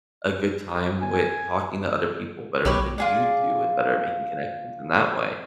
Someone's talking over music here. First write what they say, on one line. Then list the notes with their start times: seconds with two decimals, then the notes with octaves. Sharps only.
a good time with talking to other people better than you do, and better at making connections in that way.
1.02 G#5
2.65 B1 G4 B4 C#5
2.98 F4 G#4 D5